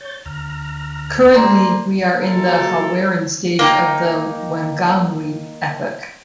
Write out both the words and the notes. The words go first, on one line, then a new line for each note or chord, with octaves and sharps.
Currently, we are in the Haweran stage of the Wanganui epoch.
C#5 G6 A6
D2 A#5 F6
A3 A#3 C5 D5 A#5 C6
F#3 G#3 A#3 F4 A4 A#4
A#3 D#4 G5